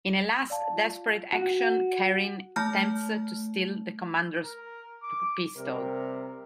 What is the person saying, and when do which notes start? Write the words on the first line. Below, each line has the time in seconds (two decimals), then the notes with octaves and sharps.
In a last desperate action Karin attempts to steal the commander's pistol.
0.50 D5 F5 A5
0.76 F4
1.33 F#4 F#5
2.56 A3 A5 F6
4.45 A#4
5.03 D6
5.55 C3 G3 A#4